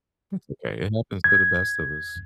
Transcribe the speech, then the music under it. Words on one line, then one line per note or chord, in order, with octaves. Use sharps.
That's okay. It happens to the best of us.
G#6